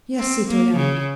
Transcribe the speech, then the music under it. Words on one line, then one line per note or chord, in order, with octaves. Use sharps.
"Yes, citoyen."
C4
A#3
C#3